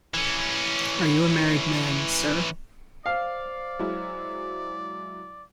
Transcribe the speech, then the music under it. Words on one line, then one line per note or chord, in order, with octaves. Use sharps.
Are you a married man, sir?
E3 C#4
C5 D5 F5
F#3 G#3 E4